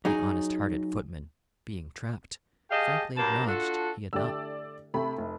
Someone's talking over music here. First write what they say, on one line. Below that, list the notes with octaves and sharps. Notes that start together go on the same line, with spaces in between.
The honest-hearted footman, being trapped, frankly acknowledged he had not.
F#3 D#4 G#4
G4 G#4 D#5 F5 A5
G2 F#3 A#3 A5 A#5
D4 F4 F#4 A4
D3 A3 G4 D5 E6
C3 A3 B5
F1